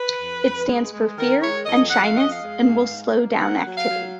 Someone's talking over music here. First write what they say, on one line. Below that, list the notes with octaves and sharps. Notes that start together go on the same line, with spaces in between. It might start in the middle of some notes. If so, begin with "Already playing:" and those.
It stands for fear and shyness and will slow down activity.
Already playing: B4
F2
F2
G#3
G#3
D#3 A#4
G#3 C#5
F2 D#5
F2 F#5
F5
F2 D#5
F5
G#3
G#2
G#2
A#3
A#3 F#5
F#3
F5
F#3